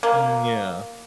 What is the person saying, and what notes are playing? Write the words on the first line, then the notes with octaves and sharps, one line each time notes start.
Mm, yeah.
A#3